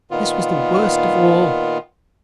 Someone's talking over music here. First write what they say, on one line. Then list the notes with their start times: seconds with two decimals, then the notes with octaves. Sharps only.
This was the worst of all!
0.11 A#2 D#3 B3 F4